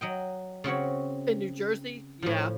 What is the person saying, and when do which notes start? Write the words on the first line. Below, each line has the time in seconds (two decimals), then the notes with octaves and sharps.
In New Jersey? Yeah.
0.01 F#3 D#5 G5
0.64 C#3 C4 F#4 C#5
2.22 A2 F3